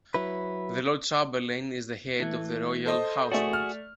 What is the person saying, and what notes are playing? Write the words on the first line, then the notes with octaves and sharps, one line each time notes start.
The Lord Chamberlain is the Head of the Royal Household.
F#3 E4 B4
E3 A3
A4 C5 D#5
A3 F#4 G#4 D5
F6